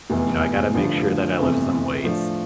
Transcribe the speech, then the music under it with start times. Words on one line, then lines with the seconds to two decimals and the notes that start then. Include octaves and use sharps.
You know, I gotta make sure that I lift some weights,
0.10 F1 E2 E3
0.74 A1 G2 D3 F3
1.39 G1 F2 C3 E3 A3
2.04 A2 F3 A3 D4